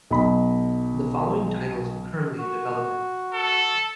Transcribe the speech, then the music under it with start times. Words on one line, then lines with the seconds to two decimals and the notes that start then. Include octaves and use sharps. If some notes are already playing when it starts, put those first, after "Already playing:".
The following titles are currently in development.
0.11 B1 D#5 B5
2.38 F#4
3.34 A4